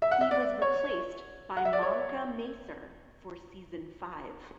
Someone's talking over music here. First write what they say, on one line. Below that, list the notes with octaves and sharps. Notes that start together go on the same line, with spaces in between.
He was replaced by Monica Macer for season five.
E5
F#5
E5
D5
C#5
F#5
E5
D5
C#5